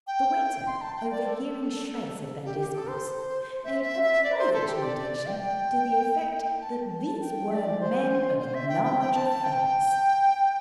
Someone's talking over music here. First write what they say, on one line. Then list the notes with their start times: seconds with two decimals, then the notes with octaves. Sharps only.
The waiter, overhearing shreds of their discourse, made a private notation to the effect that these were Men of Large Affairs.
0.07 G5
0.67 C6
0.81 A5
0.96 G5
1.11 D5
1.26 A4
2.45 G4
2.60 G4
2.75 A4
2.89 C5
3.64 E5
3.83 E5
4.03 E5
4.23 D5
4.38 C5
4.53 A4
4.68 G4
4.83 D5
4.98 D5
5.13 D5
5.28 G5
6.62 A5
7.06 A5
7.21 G5
7.51 E5
7.54 D5
7.80 C5
8.39 C5
8.54 E5
8.69 G5
8.84 G5
9.00 G5
9.14 A5
9.29 A5
9.44 G5